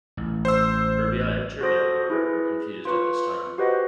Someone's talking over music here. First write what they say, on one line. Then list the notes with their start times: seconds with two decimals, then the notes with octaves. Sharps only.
Erbia and terbia, however, were confused at this time.
0.17 A1
0.45 C5 E6
1.61 F#4 A4 C5 D#6 A#6
2.10 E4 G#4 B4
2.85 F4 B4 C#6
3.58 F#4 G4 B4 C5 D#5 F#5